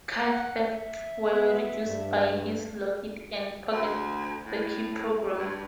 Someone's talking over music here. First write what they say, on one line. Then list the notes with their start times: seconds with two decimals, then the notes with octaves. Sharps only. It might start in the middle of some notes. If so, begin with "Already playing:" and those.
Car thefts were reduced by his 'lock it and pocket the key' program.
0.24 F#5
0.68 E5
1.31 B3
1.86 G2
3.72 D2
4.46 A2
5.39 G2